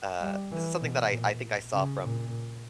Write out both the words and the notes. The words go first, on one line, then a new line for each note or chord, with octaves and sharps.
uh this is something that I I think I saw from,
G3
E3
B2
A#2
C#3
A#2